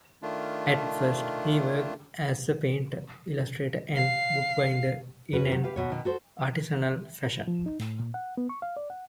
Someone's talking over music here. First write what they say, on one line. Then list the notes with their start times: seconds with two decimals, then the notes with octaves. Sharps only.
At first, he worked as a painter, illustrator and bookbinder in an artisanal fashion.
0.22 D#3 A3 D4 F4
3.94 F5 C7
5.33 E2 C#4 F#4 B4
5.50 D#3 E3 F#3
5.64 G4 B4 F5
5.76 D#2 B2 C#5
5.90 B2 D#3
6.05 F#4 A4 C5
7.47 F3
7.66 D#4
7.80 A2
8.00 A#2
8.14 F#5
8.37 B3
8.49 C#6
8.62 F5
8.77 D5
8.90 F#5